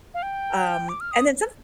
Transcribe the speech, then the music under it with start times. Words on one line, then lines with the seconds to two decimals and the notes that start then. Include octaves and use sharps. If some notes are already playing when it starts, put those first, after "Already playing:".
um, and then somet
0.14 F5
0.23 G5
0.89 D6
1.01 F6
1.12 D#6